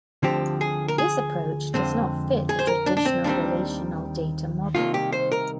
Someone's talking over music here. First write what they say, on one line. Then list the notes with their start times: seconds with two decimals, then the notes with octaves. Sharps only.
This approach does not fit the traditional Relational Data Model.
0.23 D2 D3 F3 C4 G4
0.61 G#4
0.88 A#4
0.98 G#4
1.74 F2 D3 G#3 C4
2.49 G#4
2.59 C5
2.67 A#4
2.86 D4
2.97 D4
3.05 C4
3.24 D#2 D#3 G3 C4 D4
4.75 C2 C3 D#3 A#3 F4
4.94 G4
5.12 C5
5.32 A#4